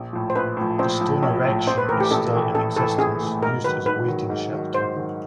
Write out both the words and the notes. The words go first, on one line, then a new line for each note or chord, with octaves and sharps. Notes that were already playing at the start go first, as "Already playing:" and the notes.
The "stone erection" is still in existence, used as a waiting shelter.
Already playing: A#1
A2 F3
C5
A#1 B4
A2 F3
A#1 C5
A2 F3
A#1 C#5
A2 F3
A#1 C5
B4
A2 E3 A3 A#4
G4
A#1 A4
A2 E3 A3
A#1 A4
A2 E3 A3 A4
A#1 G#4
A2 E3 A3
G#2 A#4
D#3 F#3 B4
G#2 B4
D#3 F#3
G#2
D#3 F#3
G#2 C5
D#3 F#3